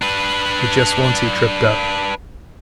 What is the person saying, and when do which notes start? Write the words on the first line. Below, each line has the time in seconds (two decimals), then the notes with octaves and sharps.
But just once he tripped up.
0.02 D4 B4